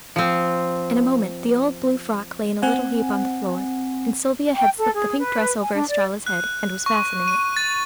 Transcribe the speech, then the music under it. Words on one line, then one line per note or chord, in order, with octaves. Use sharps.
In a moment the old blue frock lay in a little heap on the floor, and Sylvia had slipped the pink dress over Estralla's head, and was fastening it.
F3 C4
C4 F#5 G#5
G5
A4
G#4
B4
G#5
D4
D5
F#6
C#6
D#7
A6